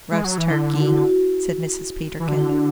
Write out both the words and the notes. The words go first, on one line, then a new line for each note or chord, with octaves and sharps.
"Roast turkey," said Mrs. Peterkin.
G#3
F#3
E3
D3 E4
F#4
E4
F#4
F#4
E3
D3 F#4
E4
D4